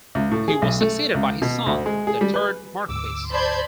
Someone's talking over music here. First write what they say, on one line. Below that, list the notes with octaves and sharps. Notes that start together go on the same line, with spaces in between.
He was succeeded by his son, the third Marquess.
C#2
A2
G#4
B1
A3
C#2
B2
D2
G#3
G#4
G3
B4
D1 D2 G#2 D6 E6
C5 D5 A5 B5 C6 G6 G#6